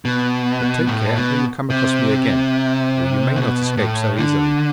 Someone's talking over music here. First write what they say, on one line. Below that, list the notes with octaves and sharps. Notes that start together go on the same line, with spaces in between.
But take care how you come across me again, or you may not escape so easily!'
B2
A2
B2
C3
B2
A2
D3